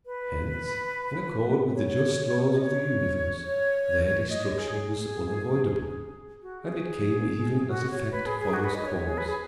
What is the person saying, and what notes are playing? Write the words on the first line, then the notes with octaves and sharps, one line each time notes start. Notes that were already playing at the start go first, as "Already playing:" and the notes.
Hence in accord with the just laws of the universe their destruction was unavoidable, and it came even as effect follows cause.
B4
C#5
D#5
C#5
C#5
D#5
C#5
G#4
G#4
F#4
G#4
G#4
F#4
C#5
B4
G#4
G#4
F#4
B4
D#5
C#5
C#5
G#4
B4
G#4